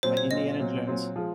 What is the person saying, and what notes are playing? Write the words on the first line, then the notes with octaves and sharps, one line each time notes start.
My Indiana Jones.
A#2 F#3 C4 C5
C#5
A#2 F#3 C4 D#5
A#2 F#3 C4
A#2 F#3 C4
F3 G#3